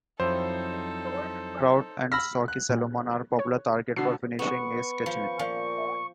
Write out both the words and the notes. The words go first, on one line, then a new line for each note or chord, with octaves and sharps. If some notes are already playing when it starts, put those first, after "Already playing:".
Trout and sockeye salmon are popular targets for fishing in Stehekin.
F2 F#3 C4 D#4 E4 A4 C5
B5 E6 F6 A#6
F#6
A#2
C#5
B2 D3 C7
B3 B4 C#6
F3
A#2 F3